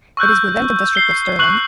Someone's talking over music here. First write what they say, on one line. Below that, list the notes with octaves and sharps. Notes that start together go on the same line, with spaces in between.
It is within the district of Stirling.
C#6 E6 F#6 G6
C7 G7
C#6 F#6 F#7